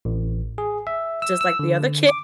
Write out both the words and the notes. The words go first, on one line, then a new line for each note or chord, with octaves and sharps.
just like the other ki
A1
G#4
E5
E6
E6
D3
D6